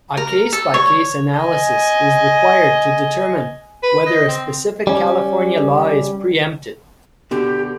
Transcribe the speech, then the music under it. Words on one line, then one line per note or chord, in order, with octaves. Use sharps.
A case-by-case analysis is required to determine whether a specific California law is preempted.
A#4
A4
C#5
D#5 G#5
B4
D#5
C4
G3 C#4
B2 D3 G4